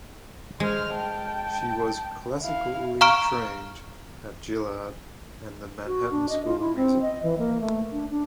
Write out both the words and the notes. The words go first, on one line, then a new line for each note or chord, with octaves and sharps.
She was classically trained at Juilliard and the Manhattan School of Music.
G#3 C5 F6
G5 A5
E4 F5
F5 A#5 C#6 F6 D7
F#4
D4
D#5
F4
E4
C4
D#5
E3
A#3
A3
D4
D4